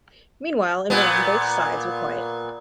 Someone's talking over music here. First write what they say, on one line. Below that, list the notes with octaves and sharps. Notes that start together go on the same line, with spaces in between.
Meanwhile, in Rome both sides were quiet.
A#2 B3